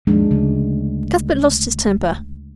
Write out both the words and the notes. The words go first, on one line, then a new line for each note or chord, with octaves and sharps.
Cuthbert lost his temper.
D#2 G#2 F3 G#3 D4
D2 C#3